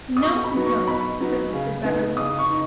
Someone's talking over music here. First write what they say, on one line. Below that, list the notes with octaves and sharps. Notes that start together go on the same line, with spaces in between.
"No, no!" protested Beverly.
D#6
B2 C#6
B5
F#3 B3 D#4
C#6
B2 B5
F#3 B3 D#4
C#3
B3 D#4
C#3 D#6
C#6
D#4